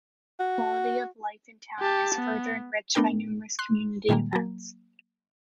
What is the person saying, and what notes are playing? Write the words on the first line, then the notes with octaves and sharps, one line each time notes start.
The quality of life in town is further enriched by numerous community events.
F#4
G4 A5
B3
A3 B3 D4 A#4 G5
C6 F#6
A#2 D#3 G3 G#3 A#3
F#3 A#3